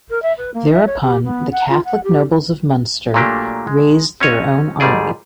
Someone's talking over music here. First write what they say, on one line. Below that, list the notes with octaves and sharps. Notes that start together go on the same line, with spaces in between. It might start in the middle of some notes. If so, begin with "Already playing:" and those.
Thereupon the Catholic nobles of Munster raised their own army.
A#4
E5
B4
A#3
E5
C#5
G4
B3
F#5
F4
F#5
G4
A#2 F#3 A3 A#3 D4 G4
G#3
C4 C#4 F#4 C#5 D#5
G#1 G#2 G3 A3 G#4 D5